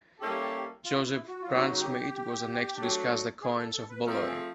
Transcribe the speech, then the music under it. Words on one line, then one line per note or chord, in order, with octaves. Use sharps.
Josip Brunsmid was the next to discuss the coins of Ballaios.
G3 A#3 C#4 E4 G4 A4
F4
E4
F#4
F4
C#3 F#3 A#3 D#4 F#4
F#4
G4
F#3 A3 D4
G#4
A4
A4
B4
F3 A3 C4 A#4
G#4